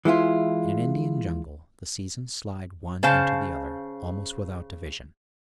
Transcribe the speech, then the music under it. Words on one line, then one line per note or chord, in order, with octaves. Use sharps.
In an Indian Jungle the seasons slide one into the other almost without division.
E3 G#3 E4 F4
C#3 C5 F5 A5